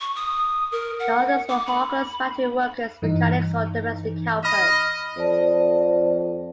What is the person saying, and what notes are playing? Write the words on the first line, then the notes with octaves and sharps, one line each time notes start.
The others were hawkers, factory workers, mechanics or domestic helpers.
C#6
D#6
A#4
F#5
D6
B5
G2 E3 D#4
D#5 B5 D#6 F6
F2 C5 D5 A5